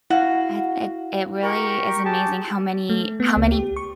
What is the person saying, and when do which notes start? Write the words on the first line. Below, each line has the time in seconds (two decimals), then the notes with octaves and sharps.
I it it really is amazing how many how many
0.10 E4 F#4 F5
1.43 G4 A#4 C#6
2.03 G4 G#4 A5
2.89 A3
3.20 B3
3.36 C#2
3.52 G4
3.76 C#6